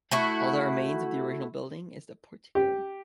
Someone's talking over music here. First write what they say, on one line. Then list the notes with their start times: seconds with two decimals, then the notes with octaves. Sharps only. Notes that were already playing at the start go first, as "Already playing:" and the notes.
All that remains of the original building is the portico.
0.11 A3 E4 F#4
2.55 G4